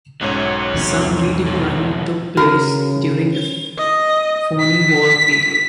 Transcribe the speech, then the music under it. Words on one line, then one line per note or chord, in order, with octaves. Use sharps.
Some redeployment took place during the Phoney War period.
B1 G#2 F#3 C#4 C#5
E2 C3 D#3
F2 B2
C#3 F#4 A#4
D#5
B6